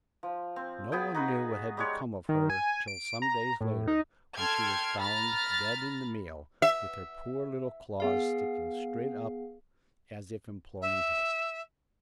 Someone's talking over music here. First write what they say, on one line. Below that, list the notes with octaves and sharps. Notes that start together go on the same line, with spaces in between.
No one knew what had become of her till some days later, when she was found dead in the meal, with her poor little claws sticking straight up as if imploring help.
F3
C4
B3 G#4 G5
D#4 F#4 B4
G3 G#3 C#5
D#3
G#5
D7
A#5
A2
D#4
A4 G5 C6 F6 G#6
A#5 B5 F6 A6
E5
B3 G#4 F5
E5